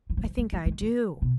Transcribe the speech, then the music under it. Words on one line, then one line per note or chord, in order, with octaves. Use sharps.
"I think I do."
E3
F3
E3
G#3
G#3
G#3
F3
B2